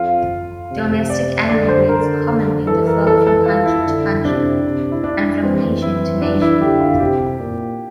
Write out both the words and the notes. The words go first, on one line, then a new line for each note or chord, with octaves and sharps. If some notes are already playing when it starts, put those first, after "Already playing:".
Domestic animal breeds commonly differ from country to country, and from nation to nation.
Already playing: F2 F4
C3
D5
D3 D5
C5
D3 A#4
E3 A4
A#4
A4
A4
F4
E4
D3
C3 D4
C3
E4
D4
E3 C4
E4
E3 D4
E4
D3 G4
F4
C3 G4
A#2